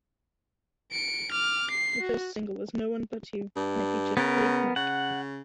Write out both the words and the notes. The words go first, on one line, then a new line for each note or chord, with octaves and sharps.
The first single was "No One But You" and it featured Craig Mack.
C#7 D7
D6 F6
C7
F#4
G2
C#3 B3 A#4
C#3 F#5